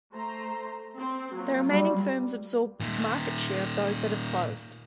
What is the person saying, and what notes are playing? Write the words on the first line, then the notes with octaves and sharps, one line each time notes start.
The remaining firms absorb the market share of those that have closed.
A3 C5 A#5
C4
F#3 A#3 F4
G3
A#2 D#3